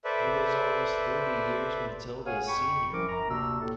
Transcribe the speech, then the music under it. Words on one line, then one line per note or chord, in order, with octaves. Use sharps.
He was almost thirty years Matilda's senior.
A4 B4 C5 D5 E5
G#4 C#5 F5 F#5 G#5
F2 G5 B5 C#6
C2 F3 C#4 E4 A#4 D6
F#2 A#5
D2 C3 A#3 D4 F#4 E6
D#2 A2 A4